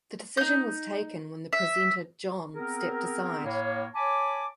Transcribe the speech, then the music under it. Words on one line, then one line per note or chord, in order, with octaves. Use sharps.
The decision was taken when the presenter, John stepped aside.
D#4 G6
E5
B3 C4 G#4 A#4
A2 A#3 C#5
C#5 G#5 A5 B5 D6